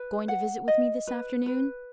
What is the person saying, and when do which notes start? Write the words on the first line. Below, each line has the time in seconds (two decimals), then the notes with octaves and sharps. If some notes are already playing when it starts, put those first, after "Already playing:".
Going to visit with me this afternoon?
Already playing: B4
0.28 F#5
0.68 D#5
1.07 B4
1.46 B4